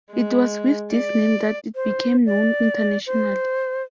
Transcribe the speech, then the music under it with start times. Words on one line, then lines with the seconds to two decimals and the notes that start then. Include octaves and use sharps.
It was with this name that it became known internationally.
0.12 G#3
0.93 D5
1.75 C5
2.26 D5
3.07 C5